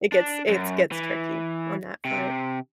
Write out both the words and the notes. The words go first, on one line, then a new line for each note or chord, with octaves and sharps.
it gets it's gets tricky on that front,
D4
F#2
E3
C3